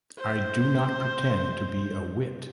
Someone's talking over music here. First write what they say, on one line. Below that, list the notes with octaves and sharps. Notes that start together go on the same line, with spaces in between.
I do not pretend to be a wit.
C5